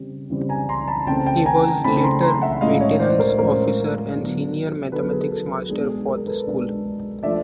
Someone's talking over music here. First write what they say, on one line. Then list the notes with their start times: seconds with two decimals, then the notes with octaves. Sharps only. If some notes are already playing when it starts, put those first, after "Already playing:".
He was later Maintenance Officer and Senior Mathematics Master for the school.
Already playing: C#3 E3 G3 C4
0.30 C#3 E3 G3 C4
0.49 G#5 A#5
0.69 A#5 C6
0.88 A5 B5
1.07 C#3 E3 A3 C4 G5 A5
1.26 G5 A5
1.46 G#5 A#5
1.84 C#3 E3 A3 C4 A5 B5
2.03 A#5 C6
2.22 A#5 C6
2.42 E5 F#5
2.61 A2 F3 G#3 C#4 D#5 F5
2.80 C#5 D#5
3.00 C5 D5
3.19 A#4 C5
3.38 A2 F3 G#3 C#4 A#4 C5
4.15 D3 F#3 B3 D4
4.92 D3 F#3 B3 D4 A4 B4
5.07 A4
5.11 G#4 A#4
5.31 A4
5.51 A4
5.70 B2 G#3 B3 D4 G#4
5.89 G#4
6.08 G#4 A#4
6.27 A4 B4
6.46 B2 G#3 B3 D4
7.23 F3 A3 D4 D5 E5